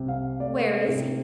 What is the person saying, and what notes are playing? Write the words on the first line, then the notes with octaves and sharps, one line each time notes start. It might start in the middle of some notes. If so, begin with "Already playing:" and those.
"Where is he?"
Already playing: C2 C3
F5
A3 D5
C3